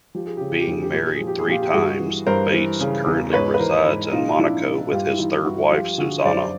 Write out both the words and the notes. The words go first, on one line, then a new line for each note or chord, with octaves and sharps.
Being married three times, Bates currently resides in Monaco with his third wife, Suzannah.
F3 G4
G#4
C#3 G4
G#4
G4
F2 G#4
G4
A#2 G#4
G4
G#4
F3
G4
G#4
A#2 F4 G4
G4
G2 F#4 G#4
E3
G2 A#4 C5
E3
C#3
E2
G#2 B4 C#5
B4
E3 A#4 C5
G#2
A#2 D#4 F4
D#4
F3 D4 E4
A#2
G2 F4 G4
E4
E3 D#4 F4
G2 E4 F#4
F3 F4 G4
D3 F#4 G#4
F#2 C5 D5